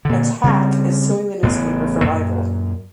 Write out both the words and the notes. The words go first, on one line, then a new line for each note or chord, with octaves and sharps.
Attack is suing the newspaper for libel.
A#2 D3
C#3 G3 C4
A1 A2 C#3 B3
F#2 A#2